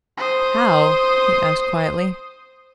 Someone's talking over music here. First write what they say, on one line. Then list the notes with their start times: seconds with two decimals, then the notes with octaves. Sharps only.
"How?" he asked quietly.
0.18 C5 D#6